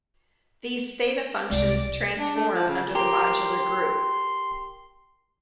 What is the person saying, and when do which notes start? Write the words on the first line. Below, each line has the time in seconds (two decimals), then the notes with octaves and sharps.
These theta functions transform under the modular group.
1.50 C2 G#3 D5
2.18 D4
2.36 A3
2.53 F3
2.68 C#3
2.95 G4 A#4 C6